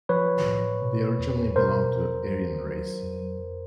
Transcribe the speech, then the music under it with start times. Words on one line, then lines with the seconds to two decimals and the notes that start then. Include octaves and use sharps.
They originally belong to Aryan Race.
0.09 F3 B4 C#5
0.46 A2
0.82 B2
1.19 E2
1.56 B2 A#4 C5
1.93 E2
2.29 F#3
2.66 F#3
3.03 F2
3.40 F2